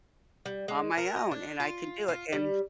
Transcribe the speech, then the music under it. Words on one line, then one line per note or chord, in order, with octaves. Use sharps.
On my own, and I can do it, and
G3
G#3
A#4
D#5
D4
F4
F4
G3